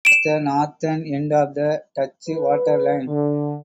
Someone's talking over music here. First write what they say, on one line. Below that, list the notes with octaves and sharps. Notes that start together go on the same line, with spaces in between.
Muiden was the northern end of the Dutch Water Line.
D7 E7
B4
D3